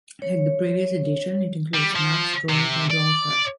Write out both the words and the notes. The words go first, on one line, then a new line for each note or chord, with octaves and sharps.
Like the previous edition, it includes maps drawn by the author.
C#5
G3
F3
C3
D5